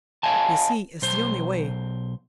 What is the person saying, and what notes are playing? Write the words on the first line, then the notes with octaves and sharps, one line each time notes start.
You see it's the only way.
C#5 D#5 F5 G#5 A5
B1 C5